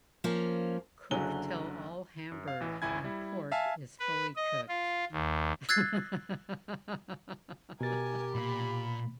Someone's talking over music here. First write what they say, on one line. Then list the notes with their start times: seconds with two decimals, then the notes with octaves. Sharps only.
Cook till all Hamburg and pork is fully cooked.
0.24 F3 A#3 C#4
1.11 F#1 D3 F#3 G#5 G7
2.32 F#2
2.48 F5
2.60 A1 E3
2.82 G#1 C#2 E4 G#5 G#6
3.04 G3 E4
3.52 E5 F5 G#5 A5
4.00 B4
4.36 D#5
4.68 F4
5.12 D#2
5.69 E6 F#6 G#6 A6 C7
7.81 B2 G4 A#4 G#5 A6
8.35 A#2 B5